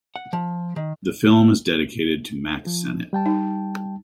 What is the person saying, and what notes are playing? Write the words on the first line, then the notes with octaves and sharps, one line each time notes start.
The film is dedicated to Mack Sennett.
F#5
F3
D#3
F3
G3 G5 A5
D#4